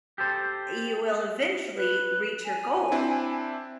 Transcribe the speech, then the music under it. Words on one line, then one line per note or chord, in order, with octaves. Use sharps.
you will eventually reach your goal,
G4 A4 C5
B4
G#5
C4 D4 E4